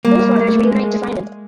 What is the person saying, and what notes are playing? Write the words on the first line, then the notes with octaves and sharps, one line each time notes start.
Both fathers reunite to find him.
G3 A#3
A3
G#3